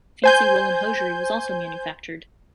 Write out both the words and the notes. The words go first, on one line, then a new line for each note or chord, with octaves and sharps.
Fancy woolen hosiery was also manufactured.
C5 G#5 G6